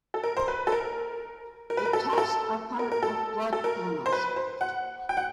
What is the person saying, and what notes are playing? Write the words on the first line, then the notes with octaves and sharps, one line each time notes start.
The tests are part of blood panels.
A4
A#4
C5
B4
A4
A#4
A#4
B4
A#4
A4
A#4
A4
A#4
A#4
A4
A4
A#4
C5
B4
C5
F#5
G5
F#5